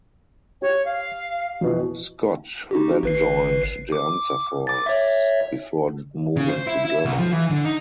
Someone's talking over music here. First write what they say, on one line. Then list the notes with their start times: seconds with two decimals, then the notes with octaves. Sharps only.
Scott then joined De Anza Force before moving to Germany.
0.62 G4 C#5
0.85 F5
1.61 F2 B2 E3
2.71 D#4 F#4 G4
3.03 G#1 B4 C7
3.92 D6
4.67 D6 A6
4.86 C#5 E5
6.36 C#3
6.49 C5
6.67 E4
6.85 E4
7.05 C2
7.18 F3
7.33 E3
7.50 D3
7.65 D#4